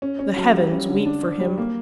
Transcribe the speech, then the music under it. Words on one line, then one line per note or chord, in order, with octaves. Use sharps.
The heavens weep for him.
C#4
C#4
F#3
G3
C#4
D3
D4
D4
G3
A#3